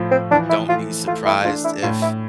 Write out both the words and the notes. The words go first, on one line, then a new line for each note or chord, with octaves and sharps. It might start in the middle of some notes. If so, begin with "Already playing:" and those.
don't be surprised if
Already playing: A2 F3
C4
E3 D4
E4
A3 F4
A3 F4
E4
D4 F4
E4
A2 F4
E4